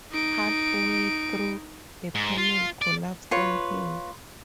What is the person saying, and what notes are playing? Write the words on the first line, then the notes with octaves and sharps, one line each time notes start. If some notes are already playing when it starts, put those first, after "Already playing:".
Halfway through, a panel collapses on him.
D#4 D7
G#2
F4
D5
F4 B4 C#5